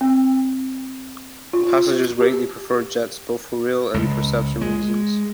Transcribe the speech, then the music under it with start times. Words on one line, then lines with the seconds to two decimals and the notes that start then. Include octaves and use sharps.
Passengers greatly preferred jets, both for real and perception reasons.
0.01 C4
1.53 F4
2.21 G4
3.94 C#2
4.61 G#3